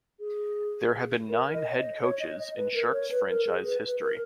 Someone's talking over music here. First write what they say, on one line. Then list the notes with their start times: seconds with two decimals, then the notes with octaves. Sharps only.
There have been nine head coaches in Sharks franchise history.
0.20 G#4
1.29 A#4
1.53 D#5
1.71 C#5
1.77 D#5
2.02 C#5
2.19 D#5
2.38 D#5
2.56 B4
2.74 A#4
2.93 C#5
3.11 B4
3.29 A#4
3.47 G#4
3.65 B4
3.83 B4
4.01 A#4